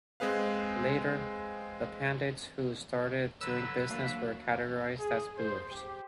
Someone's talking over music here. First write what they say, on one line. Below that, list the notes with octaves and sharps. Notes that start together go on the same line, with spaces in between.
Later, the Pandits who started doing business were categorised as Buhirs.
G#3 C4 G#4 B4 F5
D3 F#3 B4 E6
E3 F#3 A#3 D4 F5
G#4
C5
G4